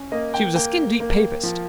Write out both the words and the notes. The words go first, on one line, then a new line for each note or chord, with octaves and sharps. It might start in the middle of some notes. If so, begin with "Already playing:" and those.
She was a skin-deep Papist.
Already playing: C#4
A#3 D#5
G5
A#3 G5
A#3
F3